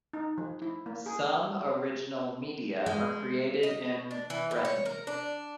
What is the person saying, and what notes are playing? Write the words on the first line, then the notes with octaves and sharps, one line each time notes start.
Some original media are created in Breton.
D#4
F3
E4
A#3
G#4
G#3
D#5
D4
E3
A2
C#5
A#4
D4